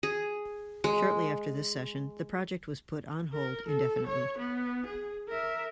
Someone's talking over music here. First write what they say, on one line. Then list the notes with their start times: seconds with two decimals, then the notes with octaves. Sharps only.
Shortly after this session the project was put on hold indefinitely.
0.03 G#4
0.84 G#3
3.33 A#4
3.68 A4
4.07 C#5
4.38 B3
4.86 G#4
5.29 A#4 E5